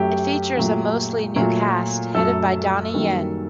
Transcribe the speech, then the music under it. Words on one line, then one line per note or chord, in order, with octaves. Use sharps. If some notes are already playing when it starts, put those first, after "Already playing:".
It features a mostly new cast, headed by Donnie Yen.
Already playing: F#2 F#3 A3 G4
A#2 F#3 A3
A#2 F#3 A3
F#2 F#3 A3 A4
F#2 D#3 G3 A#3